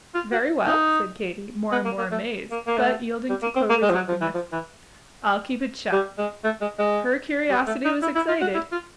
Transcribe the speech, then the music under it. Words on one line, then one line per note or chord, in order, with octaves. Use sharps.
"Very well," said Katy, more and more amazed, but yielding to Clover's eagerness, "I'll keep it shut." Her curiosity was excited.
F4
F#4
D#4
B3
A#3
A#3
A3
A#3
A#3
A3
G3
A#3
C4
A#3
G#3
F3
F#3
F3
E3
F3
E3
G3
G#3
A3
G#3
G#3
G3
A3
D#4
E4
E4
F4
F#4
E4
F4